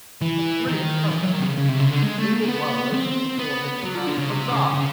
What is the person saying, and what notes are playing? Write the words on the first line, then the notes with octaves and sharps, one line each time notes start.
What brilliant prospects!" All the world opens before him and cries, "Hurrah!
E3
D#3
E3
F#3
D#3
C3
C#3
C#3
C3
C#3
D3
G#3
A3
A#3
B3
C4
B3
F#3
F3
D3
C#3
C3
C#3
C#3